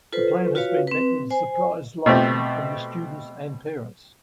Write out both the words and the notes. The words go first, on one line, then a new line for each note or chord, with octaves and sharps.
The plan has been met with a surprise liking from the students and parents.
F4 A4 B4 C5
F4 F#4 B4 C#5 F5
C4 B4
C5 G#5
B2 A3 C4 G4